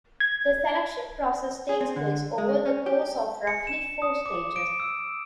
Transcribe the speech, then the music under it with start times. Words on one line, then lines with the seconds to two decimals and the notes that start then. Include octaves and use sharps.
The selection process takes place over the course of roughly four stages.
0.20 G#6
1.69 G#4
1.81 C4
1.96 D3
2.38 G#3
2.66 C#4
2.86 G4
3.47 C#7
3.67 E7
4.02 D#6
4.26 D6
4.56 D7
4.80 E6